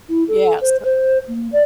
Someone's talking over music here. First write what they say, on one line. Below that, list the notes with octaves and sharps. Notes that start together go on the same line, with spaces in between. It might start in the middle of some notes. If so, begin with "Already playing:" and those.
Yeah, so
E4
A4
C5
C5
A#3
D5